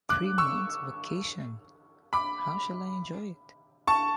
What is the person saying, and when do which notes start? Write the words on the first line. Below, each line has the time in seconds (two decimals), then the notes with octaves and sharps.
Three months' vacation, — how I shall enjoy it!
0.09 D6 F#6
0.38 C#6 E6
2.13 B5 D6
3.87 A5 C#6